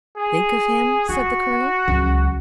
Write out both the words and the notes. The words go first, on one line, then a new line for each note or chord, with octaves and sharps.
"Think of him?" said the colonel.
G#4
F4 F#4
C#2 F#3